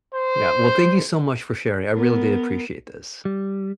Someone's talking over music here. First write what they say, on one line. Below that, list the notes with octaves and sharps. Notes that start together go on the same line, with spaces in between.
Yeah. Well, thank you so much for sharing, I really do appreciate this.
C5
B3 A#4
G3